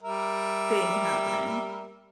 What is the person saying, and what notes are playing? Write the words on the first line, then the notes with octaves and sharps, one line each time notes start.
thing happening.
G3 A#4 E5